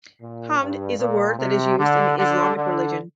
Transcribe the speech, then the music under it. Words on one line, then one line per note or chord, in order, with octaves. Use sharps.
Hamd is a word that is used in the Islamic religion.
A#2
G2
A#2
C3
D3
D3
D3